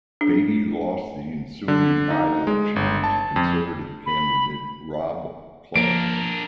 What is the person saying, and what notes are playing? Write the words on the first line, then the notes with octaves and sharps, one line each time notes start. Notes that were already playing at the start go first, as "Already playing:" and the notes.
Beatty lost the ensuing byelection to Conservative candidate Rob Clarke.
D4
D3
D#4
G#3
G1
A5
F2
B5
F3 A#3 D4 A#4 D7